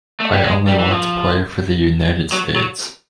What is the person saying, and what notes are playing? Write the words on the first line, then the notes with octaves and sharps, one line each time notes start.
I only want to play for the United States.
A3
G3
G#3
G3
E3
F3
F#3
F#3